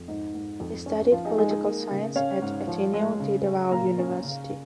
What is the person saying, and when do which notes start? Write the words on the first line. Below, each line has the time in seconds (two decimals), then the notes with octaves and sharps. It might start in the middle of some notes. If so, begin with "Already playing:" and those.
He studied political science at Ateneo de Davao University.
Already playing: F2
0.08 G#2 D#4
0.34 G#2
0.60 F2
0.86 C#4
1.12 F3 F4
1.25 D#4 G#4
1.38 G#3 D#4 G#4
1.51 D#4 G#4
1.64 A#3
1.90 C#3
2.16 C#4 C#5 F5
2.42 G#2
2.67 F3
2.93 G#3
3.20 C#3
3.46 C#4
3.72 A#2 F5 A#5
3.98 C#4
4.23 C#3